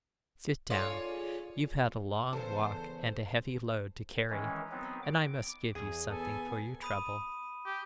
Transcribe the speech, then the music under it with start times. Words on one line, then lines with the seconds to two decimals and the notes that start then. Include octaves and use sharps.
'Sit down, you've had a long walk and a heavy load to carry, and I must give you something for your trouble.
0.70 F4 A4 C#5 D5 F5 G#5
1.09 G#4
2.33 E2 C#3 A4 C5
4.30 D#3 E3 G#3 C#4
4.71 F#3 B3 C4 D#4
5.03 D6
5.75 E2 G#4
6.09 B3 A4 G#5
6.82 B5 D#6 D#7
7.66 G4